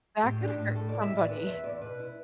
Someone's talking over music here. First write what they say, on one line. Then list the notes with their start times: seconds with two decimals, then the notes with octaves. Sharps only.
That could hurt somebody.
0.23 A2 G4
0.41 D4
0.49 G4
0.58 A2
0.75 A2 A4
0.89 E4 D5
1.01 E5
1.11 A2 D5
1.28 E2 B4
1.46 B3 E5
1.64 E2 D5
1.81 B2 B4
2.00 E4